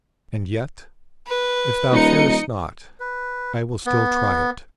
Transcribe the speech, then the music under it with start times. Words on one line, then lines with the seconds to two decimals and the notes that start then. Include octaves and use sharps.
And yet, if thou fear'st not, I will still try it.
1.27 B4
1.91 D#1 D#4 D#5 C#7
3.00 B4
3.86 B3